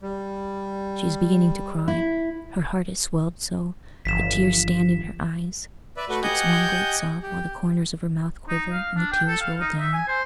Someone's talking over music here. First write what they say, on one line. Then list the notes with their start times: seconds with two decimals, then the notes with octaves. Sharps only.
She is beginning to cry: her heart has swelled so, the tears stand in her eyes; she gives one great sob, while the corners of her mouth quiver, and the tears roll down.
0.02 G3
1.88 E4
4.05 G1 E3 F3 B6 E7
5.97 B4 D5 E5
6.09 A3 F#4 B4
6.23 G4 D#5 F#5 G#5 G6
7.23 G4
8.48 D#4
8.72 F5
8.96 D4
9.12 G5
9.28 A4
9.40 F5
9.60 D#4
9.79 E5
9.93 G#5
10.07 C5